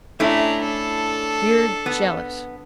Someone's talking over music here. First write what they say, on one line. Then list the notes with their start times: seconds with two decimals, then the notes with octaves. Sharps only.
"You're jealous!"
0.20 A3 C#4 D4 E4 A#5
0.63 D4 A4
1.86 B3